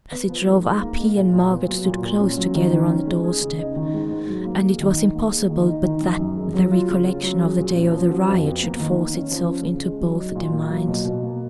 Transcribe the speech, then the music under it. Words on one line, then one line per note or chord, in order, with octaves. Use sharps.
As it drove up, he and Margaret stood close together on the door-step, and it was impossible but that the recollection of the day of the riot should force itself into both their minds.
B3
F3
G#2
G#2
A#3
G#3
A#2
A#2
B3
F#3
A#2
A#2
C#4
F#3
D#3
D#3
C#4
G#3
G#4
C#3
D#4
D#3
G#2
G#2
F#3
A#3
G#4
D#3
D#4
A#3
G#4
D#3
D#4
D#3
F#2
F#2
G#3
F#3
F4
C#3
C#4
F#3
G#4
A#2
C#4
F3
F#4
F2
B3
A#3
D#3
D#3
C#4
F3
C#4
C#3
G#3
F#3
D#4
A#2
A#3
F#3
B2
B2
A#3